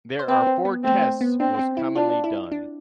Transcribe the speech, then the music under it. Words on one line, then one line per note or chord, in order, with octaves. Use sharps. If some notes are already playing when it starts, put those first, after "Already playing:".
There are four tests most commonly done.
C5
C4 B4
C4
B3
A3 C4
B3
C4 D4
C4
E4
D4 F4
E4
D4